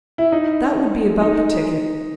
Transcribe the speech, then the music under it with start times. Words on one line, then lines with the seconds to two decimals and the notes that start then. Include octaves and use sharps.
That would be about the ticket.
0.18 E4
0.32 D#4
1.21 D#4